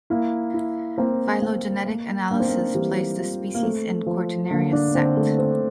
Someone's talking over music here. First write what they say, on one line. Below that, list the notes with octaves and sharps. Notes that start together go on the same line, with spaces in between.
Phylogenetic analysis placed the species in "Cortinarius" sect.
A#3 E4
E4
A#3 C4
A#3 C4
A#3
A#3 D4
C4
A#3
E3 G3
F4
A#3
A3 C4
F3
D3 A#3
D4
A#3
D3 C4
A3
C4